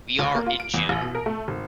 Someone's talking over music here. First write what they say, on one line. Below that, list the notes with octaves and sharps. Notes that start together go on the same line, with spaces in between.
We are in June.
D2
A#3
F4
D7
E2
A1
B2
A#4
A3
G#1